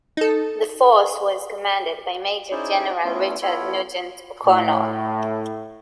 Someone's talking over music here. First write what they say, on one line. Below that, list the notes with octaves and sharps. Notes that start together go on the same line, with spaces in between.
The force was commanded by Major-General Richard Nugent O'Connor.
D#4 A4
C#4 D#4 E4 G#4 C5 D5
A3 B3 C#4 E4 F4
B3 E4 F4 A4 C#5 B5
A2